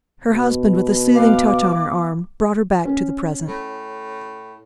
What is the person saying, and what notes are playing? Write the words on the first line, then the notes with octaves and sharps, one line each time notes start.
Her husband, with a soothing touch on her arm, brought her back to the present.
B2
B3 F5 D6
C#4
A2